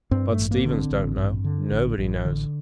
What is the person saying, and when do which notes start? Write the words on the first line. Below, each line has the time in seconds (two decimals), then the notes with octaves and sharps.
Bud Stevens don't know--nobody knows.
0.11 G2 C4
0.32 A3
0.38 A1
0.51 A#3
0.65 D3
0.72 C4
0.91 A1
1.18 G2
1.44 D3
1.71 A1
1.98 A1
2.25 D3